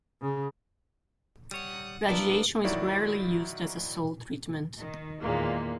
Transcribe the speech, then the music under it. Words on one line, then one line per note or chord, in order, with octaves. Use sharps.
Radiation is rarely used as a sole treatment.
C#3
G3 C#5 F#5 D#6
A#3 B3 D4 E4 F4 D6 E6
D#3 F#3 D#4 E4 F#4 D5
D#3
E2 A#2 D#3 G#3 A#3